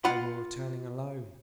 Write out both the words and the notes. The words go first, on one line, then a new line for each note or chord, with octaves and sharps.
They were returning alone!...
F4 F#5 B5